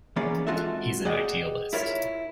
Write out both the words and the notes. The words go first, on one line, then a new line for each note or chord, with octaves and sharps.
He's an idealist.
E3 A#3 B3 C#4 G#4 D5
G#3 C4 F4 F#4 A4 E5
G#4 D5 D#5 F#5 G5
E4 F4 A#4 C#5 E5